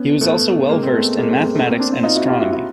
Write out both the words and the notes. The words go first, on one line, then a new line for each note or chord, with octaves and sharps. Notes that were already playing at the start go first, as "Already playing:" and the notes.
He was also well versed in mathematics and astronomy.
Already playing: B3 C#4
A3 B3
G#3 A#3
A#3 C4
A3 B3
G#3 A#3
A#3 C4
G#3 A#3
A3 B3
A#3 C4
C4 D4
C4 D4
D#4 F4
E4 F#4
F4 G4
E4 F#4
E4 F#4